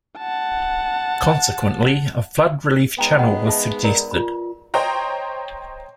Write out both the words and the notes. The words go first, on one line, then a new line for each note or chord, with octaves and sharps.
Consequently, a flood relief channel was suggested.
F#5 A5
G#2 G#3 B3 G5 A#5
D#5 F#5 G5
E5 A5
A#4 D5 A#5
F4 B5
C5 C#5 D#5 G5 A#5